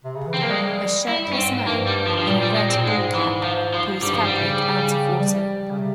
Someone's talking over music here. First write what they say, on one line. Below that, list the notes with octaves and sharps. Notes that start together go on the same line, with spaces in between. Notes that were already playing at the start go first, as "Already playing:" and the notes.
A shirtless man in a red ball cap pulls fabric out of water.
C3
C#3
E3
C4
F3 A#3
G3 G#3
G3 E4
G2
C#4
G#2 C4
G2 A#3
G3
F3
F3
A#2 G3
G3
G#3
C4
A#2
G#2 G#3
E3
F3
F3
G2 G3
F3
G#2 G3
C#3
F3
G3
C#3
C3